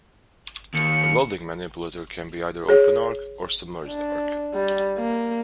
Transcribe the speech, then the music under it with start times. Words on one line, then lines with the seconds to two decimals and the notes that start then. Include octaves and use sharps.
A welding manipulator can be either open arc or submerged arc.
0.74 D#2 C#7
2.69 G#4 C#5
3.87 D4
4.55 G3
4.98 A#3